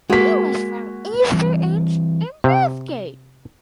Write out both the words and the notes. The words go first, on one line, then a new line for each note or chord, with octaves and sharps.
He was from Easter Inch in Bathgate.
G#3 A#3 F#4 B6
E3 G3 C4
C3